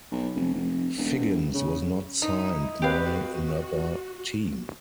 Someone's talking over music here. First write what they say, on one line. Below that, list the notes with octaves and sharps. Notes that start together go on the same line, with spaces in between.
Figgins was not signed by another team.
B1
F1
F1
E1
C#3
D#4 E4
C4 F#4 G4 B4 F5